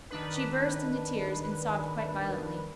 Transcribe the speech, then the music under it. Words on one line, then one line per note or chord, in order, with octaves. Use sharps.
She burst into tears, and sobbed quite violently.
D#3 D4 B4